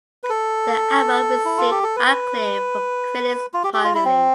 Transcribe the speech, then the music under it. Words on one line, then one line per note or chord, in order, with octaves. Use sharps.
The album received acclaim from critics upon release.
B4
A4
E4
F4
G4
A4
B4
F4
G4
G4
F4
E4
C4